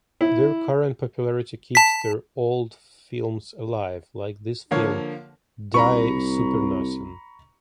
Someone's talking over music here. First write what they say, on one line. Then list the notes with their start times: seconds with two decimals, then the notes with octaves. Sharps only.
Their current popularity keeps their old films alive, like this film, "Die Supernasen".
0.21 E4
1.75 A5 B6
4.71 D3 F3 A#3 C#5
5.74 C2 A#5 B5 C#6